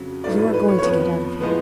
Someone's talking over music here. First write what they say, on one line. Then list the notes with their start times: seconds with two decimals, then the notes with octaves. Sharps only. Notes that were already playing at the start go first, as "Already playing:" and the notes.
"You are going to get out of here."
Already playing: F2 C#3 F#3
0.24 A1 G#2 F#3 A3 D5
0.38 B4
0.54 B4
0.68 C#5
0.79 C#5
0.82 F2 F3 B3 B4
1.41 A2 F3 G#3 B3 B4